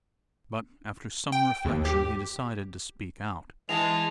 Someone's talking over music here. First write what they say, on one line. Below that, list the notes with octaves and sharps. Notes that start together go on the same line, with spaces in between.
But, after some reflection, he decided to speak out.
G5
D#2
G4
E3 G#3 A5 F7